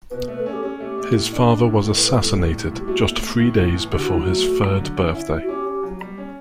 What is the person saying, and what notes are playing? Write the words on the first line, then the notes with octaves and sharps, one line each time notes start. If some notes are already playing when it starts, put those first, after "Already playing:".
His father was assassinated, just three days before his third birthday.
B2 B4
A3 B4
A4
C#4
G4
C#4 A4
A3 G4
A3
A2
D4
D4
A2
A2 A4
G3 B4
A4
A2
A2
G3
A2
G4
A3 F#4
A3
A3
A2
A2
E3
D3 G4
F#4
F#3 E4
F#4
A3
A3
F#3
D3
C#4
E4
E4
F#4
C#4 G4
C#4
F#3
G3
C#4